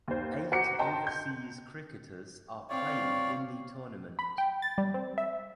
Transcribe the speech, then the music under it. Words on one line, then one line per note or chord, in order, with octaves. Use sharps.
Eight overseas cricketers are playing in the tournament.
D#2 C5
F#4 C5 A#5 D6 C#7
D#5 G5 A5 A#5 C6
G6
C4 C#5 D5 F5
B5
G5
A6
G3
C4
E5